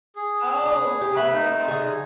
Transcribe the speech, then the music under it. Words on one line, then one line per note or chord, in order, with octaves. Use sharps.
Oh, how did what happened?
G#4
B4
G4
A3 B5 F#6
D#4
D3 G#4